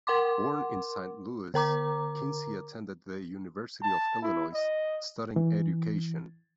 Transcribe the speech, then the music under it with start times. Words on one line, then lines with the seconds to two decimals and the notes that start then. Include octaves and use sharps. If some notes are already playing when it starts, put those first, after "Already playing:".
Born in Saint Louis, Kinsey attended the University of Illinois, studying education.
0.07 A#4 F#5 C6 D6
1.54 D3 A#4 A#5 D6
3.83 A5
4.23 E4
4.53 D#5
5.36 E3